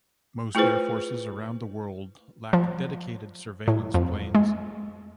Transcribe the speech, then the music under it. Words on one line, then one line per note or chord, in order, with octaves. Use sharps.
Most air forces around the world lack dedicated surveillance planes.
A3 E4 F4 G#4 B4 C5
F3
A2
F2
G#3